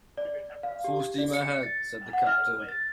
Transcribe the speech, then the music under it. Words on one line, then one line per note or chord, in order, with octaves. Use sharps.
"Full steam ahead," said the captain.
D5
F5
G4
D5
C#7
A6
F#5
F6
A6